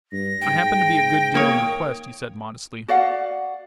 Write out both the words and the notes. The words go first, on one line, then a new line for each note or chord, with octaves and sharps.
"I happen to be a good deal in request," he said modestly.
G2 A#6
G#2 G5
A#3 C#5 D#6
F#4 D5 F5 F#5